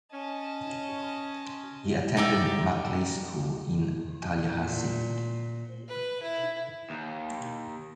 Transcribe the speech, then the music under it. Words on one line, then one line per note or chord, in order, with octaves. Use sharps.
He attended Maclay School in Tallahassee.
C#4 D#5 A5
D#4 G4 D5 E5
A#2
B4
E4
D#2